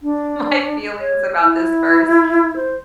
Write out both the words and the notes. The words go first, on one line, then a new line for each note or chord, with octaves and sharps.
my feelings about this first,"
D4
C#5
E4
C5